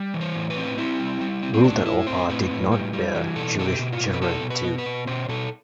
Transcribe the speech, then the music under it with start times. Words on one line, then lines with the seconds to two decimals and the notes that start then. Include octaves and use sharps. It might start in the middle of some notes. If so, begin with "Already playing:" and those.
Ruth and Orpah did not bear Jewish children, too.
Already playing: G3
0.14 E3
0.21 C5
0.35 A2
0.50 B4
0.57 C4
0.78 C4 E4
1.00 G3
1.21 G3
1.43 C4
1.54 C4
1.64 A2 D4
1.86 A2 E4
2.07 C4 C5
2.29 A2 B4
2.51 A2
2.72 G3
2.93 G3
3.14 E3
3.36 B2 A4
3.57 B2 A4
3.65 G4
3.79 B2
3.93 F4
4.00 B2
4.13 B4
4.21 B3 A4
4.43 B2
4.50 B4
4.65 B3
4.78 B4
4.86 B2
5.07 B2 C5
5.28 B2 A4